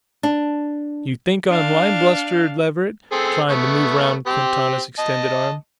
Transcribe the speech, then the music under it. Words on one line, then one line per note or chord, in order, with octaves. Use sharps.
"You think I'm lyin'?" blustered Leverett, trying to move around Quintana's extended arm.
D4
D4 F5
C4 G#4 A4
A3 B3 C#6
C4 G4
D#5 A5